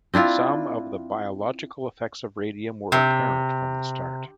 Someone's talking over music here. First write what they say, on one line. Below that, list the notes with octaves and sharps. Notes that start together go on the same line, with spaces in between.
Some of the biological effects of radium were apparent from the start.
C4 D4 E4 F4
C3